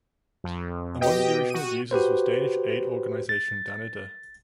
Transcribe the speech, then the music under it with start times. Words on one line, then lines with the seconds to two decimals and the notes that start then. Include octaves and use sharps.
Among the original users was Danish aid organisation Danida.
0.44 F2
1.01 B2 G4 D#5 G5
1.50 F#4 D#7
1.91 F#4 G4 B4 C5
3.29 A6